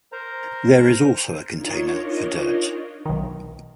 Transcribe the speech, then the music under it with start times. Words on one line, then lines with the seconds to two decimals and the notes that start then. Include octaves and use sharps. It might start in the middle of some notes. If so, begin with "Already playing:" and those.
There is also a container for dirt.
0.12 A#4 C5 A#5
1.56 D4 D#4 F4 A#4 C#5 D#5
3.05 B1 D#3